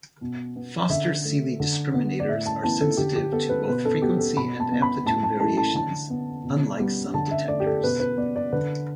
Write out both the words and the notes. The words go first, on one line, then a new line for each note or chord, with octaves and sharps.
Foster-Seeley discriminators are sensitive to both frequency and amplitude variations, unlike some detectors.
B2
B3
D3 E5
A3
D3
B3
D5
A2 E5
A5
E3 B3 A5
A4
D3 G4
G4
B3 A4
B4
B2 B4
A4
B3 G4
A4
B2 B5
A5
B3
B5
A2 A5
A5
E3 A3 A5
A5
D3 A5
B3
B2
G3 B3
D3 A5
E5
A3 D5
G4
A4
B2 B4
B4
B3 D5
D5
D3 B4